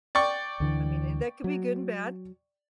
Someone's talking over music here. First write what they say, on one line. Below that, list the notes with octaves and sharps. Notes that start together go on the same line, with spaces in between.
I mean, and that could be good and bad.
D5 G5 C#6
D2 D3 E3
F#3